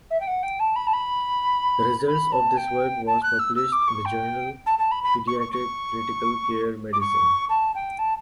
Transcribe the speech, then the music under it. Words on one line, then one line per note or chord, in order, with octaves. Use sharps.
The results of this work was published in the journal "Pediatric Critical Care Medicine".
E5
G5
F#5
G5
A5
B5
A5
B5
B5
A5
G5
A5
F#6
E6
E6
D6
C#6
G5
A5
A5
B5
B5
C#6
C#6
C#6
D6
C#6
A5
G5
A5